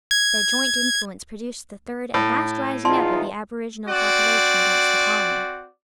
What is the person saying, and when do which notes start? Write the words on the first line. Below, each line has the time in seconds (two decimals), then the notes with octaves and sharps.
Their joint influence produced the third and last rising up of the aboriginal population against the colony.
0.11 G#6
2.14 A2
2.85 E2 D#4 F4 D5 A5 C6
3.88 C4 F#4 D5